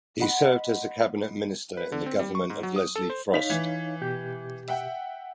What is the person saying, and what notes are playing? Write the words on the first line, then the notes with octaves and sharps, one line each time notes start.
He served as a cabinet minister in the government of Leslie Frost.
D#5 F#5 B5 C6
B4
D3
C4
G3
C#6
G#2
F#3
D#6
A4
C5
D#4 C#5 F5 B6 F7
E3
B2 G4 G6
E5 F#5 G5